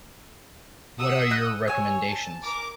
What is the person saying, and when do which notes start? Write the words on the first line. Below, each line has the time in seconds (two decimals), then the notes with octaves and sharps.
What are your recommendations?
0.99 F#5 D#6 E6
1.30 D#5 F#6
1.68 C#5 G#5 E6
2.08 A5
2.43 A#4 D6